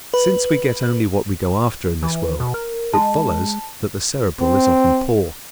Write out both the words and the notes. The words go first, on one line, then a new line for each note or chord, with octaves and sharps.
Since we get only what we go after in this world, it follows that the Cerebral is often poor.
B4
E3
B2
A#4
G#3 A5
C4